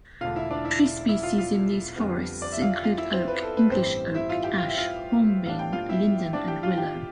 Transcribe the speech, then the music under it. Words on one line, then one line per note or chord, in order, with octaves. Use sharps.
Tree species in these forests include oak, English oak, ash, hornbeam, linden and willow.
E1 E2 D3 A3 D4 F4 F5
E4 E5
D4 D5
E4 E5
E4 E5
F4 F5
F4 F5
F2 D3 G3 B3
D5
E5
F4 F5
F4 F5
E4 E5
C4 C5
B4
A4
B4
A1 G2 E3 G3 C4 C5
E4 E5
F4 F5
G4 G5
F5
E5
F4 F5
A2 G3 B3 D4 F5
G5
F4 F5
E4 E5
D4 D5
G4 G5
F4 F5
G4 G5